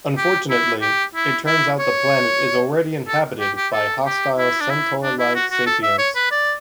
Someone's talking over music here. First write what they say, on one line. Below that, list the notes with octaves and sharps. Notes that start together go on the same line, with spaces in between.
Unfortunately, it turns out the planet is already inhabited by hostile centaur-like sapients.
G4
E4
G4
E4
E4
C#5
A4
G4
G4
A4
G4
E4
D4
E4
D4
E4
F#4
F#4
A4
E5
C#5
B4
D5